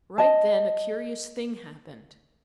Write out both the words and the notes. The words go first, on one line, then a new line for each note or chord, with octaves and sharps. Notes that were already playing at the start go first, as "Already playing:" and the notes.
Right then a curious thing happened.
D#5 A5